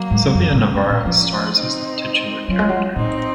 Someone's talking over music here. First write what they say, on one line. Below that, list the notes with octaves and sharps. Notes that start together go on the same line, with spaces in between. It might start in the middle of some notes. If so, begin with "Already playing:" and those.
Silvia Navarro stars as the titular character.
Already playing: F#3 A#3
G#2
F#2
A#2
G#2 A#3 C#4
F#2
A#2
F3
C4 D#4
F#3 C#4 F4
G#3
F#3
A#2 C4 D#4